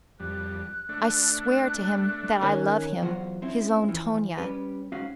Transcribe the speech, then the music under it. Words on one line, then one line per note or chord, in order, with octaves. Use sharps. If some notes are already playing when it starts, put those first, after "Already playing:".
I swear to him that I love him, his own Tonia.
F2 G3 F#6
A3 D4
D#3 C#4
E2 F#3 F4 C5 F#5
C4 C#4 E4
E3 F3
G3 C#4 G4 B4
G#2 C#4 F#4 F5